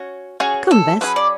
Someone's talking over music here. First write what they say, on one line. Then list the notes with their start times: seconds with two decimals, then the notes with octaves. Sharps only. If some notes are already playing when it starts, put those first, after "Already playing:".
Come, Bess.
Already playing: C#4 F#4 C#5
0.40 C#4 F#4 G#4 C#5
0.71 A4
1.01 F#3 C#4 G#4 B4
1.16 D5